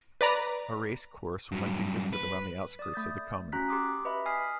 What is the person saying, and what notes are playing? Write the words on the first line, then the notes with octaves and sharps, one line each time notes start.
A racecourse once existed around the outskirts of the Common.
B4 D5 A#5
G2 F#3
B4
D5 D#6
A3 G6 A6
C#4 F#4 A#5 F#6 B6
G4 C6 D6 D#6
B4 D#5 E5 B5
G#5 D#6 F6 B6 C7